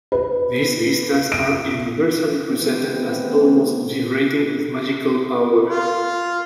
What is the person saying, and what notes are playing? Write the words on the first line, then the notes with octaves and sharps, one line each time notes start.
These vistas are universally presented as almost vibrating with magical power.
B4
D7
D#3 E3 A3 B3 C4 E4
F4